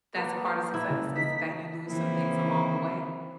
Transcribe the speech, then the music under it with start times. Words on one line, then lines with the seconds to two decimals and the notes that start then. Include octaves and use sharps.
that's a part of success, is that you lose some things along the way,
0.16 A#3 B3 A4
0.74 E4
0.90 C#3
1.16 D#4 B6
1.88 C#3 E3 A#3 C4 E4